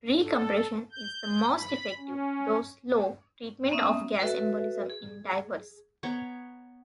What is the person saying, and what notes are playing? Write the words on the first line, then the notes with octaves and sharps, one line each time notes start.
Recompression is the most effective, though slow, treatment of gas embolism in divers.
A4
G6
B5
C#4
A#3 B3 C#4 E5 D#6
F#4 A4 B4 E5
G#4
B3 C#5 A#5 C#6